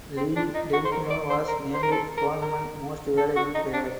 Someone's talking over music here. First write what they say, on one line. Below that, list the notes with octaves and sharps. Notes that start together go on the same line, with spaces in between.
Lee Delfino was named Tournament Most Valuable Player.
C4
D4
D#4
F#4
C5
A#4
D5
C5
A#4
C5
A#4
A4
A#4
A#4
A4
F#4
D#4
D4